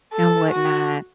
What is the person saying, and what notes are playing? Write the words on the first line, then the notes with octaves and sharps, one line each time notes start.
and whatnot.
A4
F#4